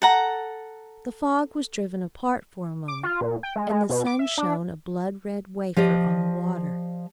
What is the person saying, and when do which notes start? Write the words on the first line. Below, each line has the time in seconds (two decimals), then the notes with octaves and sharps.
The fog was driven apart for a moment, and the sun shone, a blood-red wafer, on the water.
0.02 A4 F#5 A#5
2.88 D6
3.03 F4
3.21 A#2
3.43 G5
3.56 G#3
3.70 G#3
3.89 B2
4.06 D6
4.19 E5
4.38 D4
5.76 F3 G4 D5 D#5